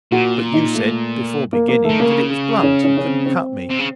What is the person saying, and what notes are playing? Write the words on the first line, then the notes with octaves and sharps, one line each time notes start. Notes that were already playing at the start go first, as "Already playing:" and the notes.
"But you said before beginning that it was blunt and couldn't cut me!"
A#2 F#4
D#4
A3
A#3
A#3
D#3 A3
C#3 A#3
C#4
C#4
C#4
C4
C4
C3
C#3